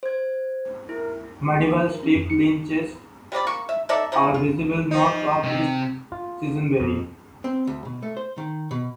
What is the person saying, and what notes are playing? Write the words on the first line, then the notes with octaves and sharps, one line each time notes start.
Medieval strip lynchets are visible north of East Chisenbury.
C5 G#6
E4 A#4
A#3
C5
A#4
C#4
F2
C#7
G3 C4 D5 B5
A#3 C#6
E5
D#4 A4 D5 E5
F3 D#4 E4
F4
F3 D#4
C3
F4
F2
C4
D2
B2
A3
C5
D#3
B2